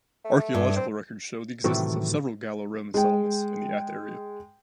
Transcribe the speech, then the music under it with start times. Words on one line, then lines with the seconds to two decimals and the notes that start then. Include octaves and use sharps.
Archeological records show the existence of several Gallo-Roman settlements in the Ath area.
0.25 A3
0.54 G2
0.76 C4
1.64 A2 C3 D#3 E3 F#3 A3
2.94 G#3 G5